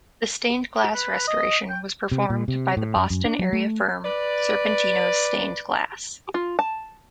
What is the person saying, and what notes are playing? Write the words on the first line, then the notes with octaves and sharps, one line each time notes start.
The stained glass restoration was performed by the Boston-area firm "Serpentino Stained Glass".
B4
D#5
G5
C3
A#2
C3
A2
F#2
F#2
D4
F#3
A3
B4 D5
F4
A5